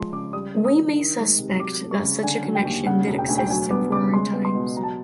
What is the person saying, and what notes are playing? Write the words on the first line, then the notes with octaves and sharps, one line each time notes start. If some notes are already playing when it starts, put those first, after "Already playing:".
We may suspect that such a connection did exist in former times.
Already playing: F3 G#3 C6
C#3 D6
G3 D#6
A#3
D#6
D#3
D#3
G#3
C3
F#3 D6
A3
C#6
C#3
D3 G#5
F#3
G5
D#2
C#3 F#5
E1
G5
D2 G#5
G5
F#3 G#5
B3 D6
C#3 D6
G#3 C6
B3
C6
B2
F#3 A#5
A5